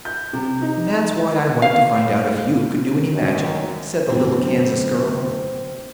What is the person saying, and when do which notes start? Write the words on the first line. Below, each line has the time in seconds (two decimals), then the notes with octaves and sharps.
"That's why I wanted to find out if you could do any magic," said the little Kansas girl.
0.05 G6
0.33 C3
0.62 D#4
1.62 F5
3.14 F#2 D#3
4.10 G1 F#2 A2 D3 F#3 B3 C4 E4